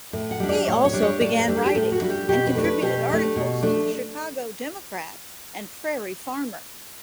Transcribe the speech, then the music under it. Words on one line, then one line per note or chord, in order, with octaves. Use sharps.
He also began writing and contributed articles to the Chicago "Democrat" and "Prairie Farmer".
A2
F#5
G3 D4
D5
A2 C#5
C#5
G3 D4
C#5
A2 D5
B4
G3 D4
A4
G4
A2 A4
F#4
G3 D4
G4
B2 G4
B4
A3 D4
B4
B2 G4
A3 D4
B2
A3 D4